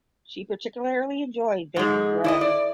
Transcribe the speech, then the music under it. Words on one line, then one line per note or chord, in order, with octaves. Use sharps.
She particularly enjoyed baking bread.
G#2 G#3
E4 D5 D#5
D5